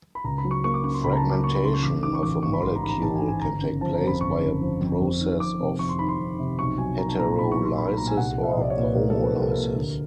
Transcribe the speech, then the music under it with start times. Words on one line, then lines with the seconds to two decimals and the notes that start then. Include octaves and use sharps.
Fragmentation of a molecule can take place by a process of heterolysis or homolysis.
0.15 B5
0.24 C#2 A#5
0.38 B5
0.45 F#3
0.51 C#6
0.64 A#3 C#6
0.74 D6
0.84 C#3 C#6
0.94 C6
1.04 C#2 B5
1.13 A#5
1.17 A5
1.24 F#3
1.30 D6
1.44 A#3 C#6
1.54 B5
1.64 C#3 C6
1.74 C#6
1.83 A1 D6
2.03 D#3 D6
2.15 C#6
2.23 A1 D6
2.42 G#2 C#6
2.53 B5
2.62 A1 C6
2.76 A#5
2.82 D#3 B5
2.89 A#5
3.02 A1 A5
3.15 G#5
3.22 G#2
3.28 G#5
3.41 G1 A#5
3.62 C#3
3.81 F3 A5
3.95 A#5
4.01 F2
4.07 B5
4.21 G1 C#6
4.41 C#3
4.61 F3
4.81 F2
5.00 F2
5.20 D#3
5.40 F2 D6
5.59 C3
5.79 F2 C#6
5.89 C6
5.99 D#3 B5
6.08 C6
6.19 F2
6.39 C3
6.59 B1 C#6
6.78 F#3 G#5
6.98 B1 A#5
7.09 A5
7.19 A#2 A#5
7.38 B1 B5
7.52 C#6
7.58 F#3
7.65 C6
7.78 B1 B5
7.88 B5
7.97 A#2 A#5
8.08 G#5
8.17 C2 F#5
8.37 F3
8.43 E5
8.52 D#5
8.57 C2 D5
8.70 C#5
8.77 A#2
8.83 B4
8.97 C2 A#4
9.10 A4
9.17 F3
9.24 B4
9.32 C2 A#4
9.42 A4
9.51 A#2 A#4
9.76 D2